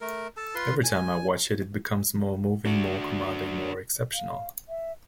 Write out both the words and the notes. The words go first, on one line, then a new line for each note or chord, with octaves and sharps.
Every time I watch it, it becomes more moving, more commanding, more exceptional.
A3 A#4
A4 A5
F4 B4 C6
G#5
D4 F#4
F5
E5